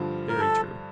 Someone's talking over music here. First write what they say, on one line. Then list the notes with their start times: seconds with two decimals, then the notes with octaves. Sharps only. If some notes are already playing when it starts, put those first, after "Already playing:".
Very true.
Already playing: G2 D3 F3
0.29 A#4
0.40 A4